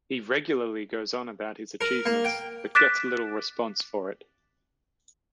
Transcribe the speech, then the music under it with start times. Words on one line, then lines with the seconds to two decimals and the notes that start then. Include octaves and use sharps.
He regularly goes on about his achievements, but gets little response for it.
1.81 A#4
2.06 A#3
2.25 G5
2.75 D6 F#6 A6 B6 D7 E7